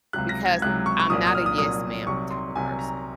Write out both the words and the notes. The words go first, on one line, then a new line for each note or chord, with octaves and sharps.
Because I'm not a "yes, ma'am" type of person.
C#2 C3 F#3 F#6
A#6
G#6
C#2 C3 F#3 F#6
C#6
C#6
C2 A#2 F#3 D#6
D#6
F6
D#6
C2 A#2 F#3 D#6
C2 C3 F#3 C#6
C6
C2 C3 F#3 G#5
A#5